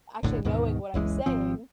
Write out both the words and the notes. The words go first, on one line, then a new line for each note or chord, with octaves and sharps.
actually knowing what I'm saying."
F1 A#1 A2 D3
D2 G#2 B2 D#3
F#1 C#2 E3 G#3
G#1 F3 C4